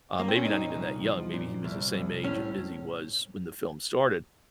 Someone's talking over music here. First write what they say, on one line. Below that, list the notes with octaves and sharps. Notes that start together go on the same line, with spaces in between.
uh, maybe not even that young, maybe he was the same age as he was when the film started-
A#3
C4
C#4
A#2 D#4
C2
F3
A#2
C2
C2
A2 C#4